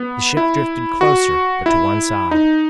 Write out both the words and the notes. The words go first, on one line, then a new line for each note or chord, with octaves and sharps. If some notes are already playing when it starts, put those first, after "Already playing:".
The ship drifted closer, but to one side.
Already playing: B3
E4
F#4
E4
D#4